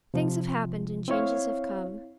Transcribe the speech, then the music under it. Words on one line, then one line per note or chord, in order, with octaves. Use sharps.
Things have happened, and changes have come.
C3 F3
C4 E4 C#5 F5